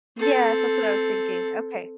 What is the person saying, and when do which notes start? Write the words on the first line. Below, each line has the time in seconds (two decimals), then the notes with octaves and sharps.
Yes, that's what I was thinking. Okay.
0.18 C4 A4